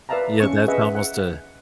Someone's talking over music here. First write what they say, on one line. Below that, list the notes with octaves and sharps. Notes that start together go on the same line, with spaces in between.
Yeah, that's almost a
B4 D5 E5 F5 A5 A#5
C#4 C#6
G#4 B4 D#5 E5 F#5
F#5